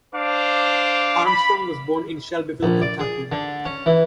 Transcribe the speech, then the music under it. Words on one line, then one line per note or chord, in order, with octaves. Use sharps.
Armstrong was born in Shelbyville, Kentucky.
D4 C5 F5 D6
B5
A#1
D5
G#4
D3
C#4
E3